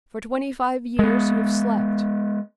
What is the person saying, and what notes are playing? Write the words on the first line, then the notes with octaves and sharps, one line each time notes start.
For twenty-five years you have slept.
G#3 B3